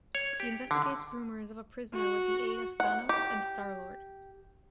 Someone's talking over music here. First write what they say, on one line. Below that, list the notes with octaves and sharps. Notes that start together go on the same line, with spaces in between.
He investigates rumors of a prisoner with the aid of Thanos and Star-Lord.
C#5
G4
D3
F#4
F#5
G4